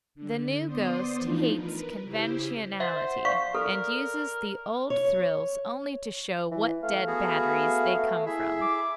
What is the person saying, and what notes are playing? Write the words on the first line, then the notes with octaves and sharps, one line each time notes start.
The new ghost hates conventionality and uses the old thrills only to show what dead batteries they come from.
D3
B3 C5 D5 C6 D#6
E3 F3 A3 D4 D#4 F4
A#4 B4
C#3 E4 G4 C5
C5 E5 F#5
D5 F5 C#6
A4 A#4
C#5
E3
A3 F5
B3 F#4 G#4
E4 G#4 E5
D6